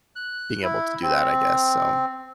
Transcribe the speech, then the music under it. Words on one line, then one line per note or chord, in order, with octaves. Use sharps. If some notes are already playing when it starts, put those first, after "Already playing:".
being able to do that, I guess. So
F#6
E4
C4